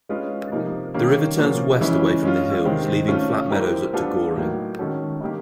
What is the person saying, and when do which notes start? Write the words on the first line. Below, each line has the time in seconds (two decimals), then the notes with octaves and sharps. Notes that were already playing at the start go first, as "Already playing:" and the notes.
The river turns west away from the hills leaving flat meadows up to Goring.
0.09 G#3 C#4 F4 G#4 B4
0.52 C3 F3 A#3 D#4
0.94 D#3 G3 A#3 C#4
1.37 A#2 F3 A#3 C#4 F#4
1.80 C#3 E3 G#3 C#4 E4
2.22 G#3 C#4 F4
2.65 C3 D#3 G#3 C4
3.08 A3 C#4 F4
3.51 G3 C4 E4 G4 A#4
3.93 G3 B3 D4 F4 A4
4.36 A2 F#3 A#3 D#4
4.79 D#3 G#3 C#4 F#4 A4
5.21 D#3 G3 A#3 D#4 G4